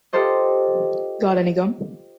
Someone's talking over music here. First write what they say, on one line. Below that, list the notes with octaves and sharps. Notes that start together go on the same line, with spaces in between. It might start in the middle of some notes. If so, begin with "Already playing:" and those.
Got Any Gum?
F4 G4 A4 C5 D#5